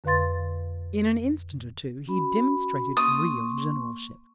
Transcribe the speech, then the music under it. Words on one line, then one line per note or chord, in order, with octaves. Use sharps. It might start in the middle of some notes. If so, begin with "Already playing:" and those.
In an instant or two he demonstrated real generalship.
F2 D3 B4 F5 C6 A6
C#4 F#4 B5
A#3 C6 C#6 D#6